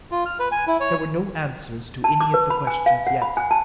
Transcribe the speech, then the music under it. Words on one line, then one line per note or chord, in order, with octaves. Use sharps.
There were no answers to any of the questions yet.
F4
F6
B4
G#5
E4
C#5
A5
D6
B4
B5
G#5
F5
F#5
B5
G#5
A5